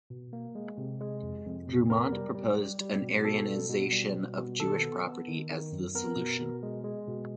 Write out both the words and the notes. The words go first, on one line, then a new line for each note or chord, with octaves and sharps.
Drumont proposed an aryanization of Jewish property as the solution.
B2
A#3
G#3
C3
G#3
F2
F2
C3
B3 A#4
G3
G3
G3
G3
B2
B2 A4
G3
B2
G3
B2
B2
D#3 A4
B3
B3
D#3
D#3
F#2
B3 A#4
B2
B2
G#3
G#3
B2